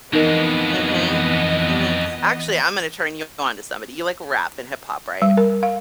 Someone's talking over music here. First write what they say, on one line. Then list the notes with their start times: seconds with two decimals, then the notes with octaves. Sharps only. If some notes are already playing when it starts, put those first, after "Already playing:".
Mhm, mhm. Actually, Imma na turn you on to somebody. You like rap and hip hop, right?
0.13 F2 E3 G#3 B3 D#4 A#4 D#5
5.22 G3
5.37 A#4
5.63 F5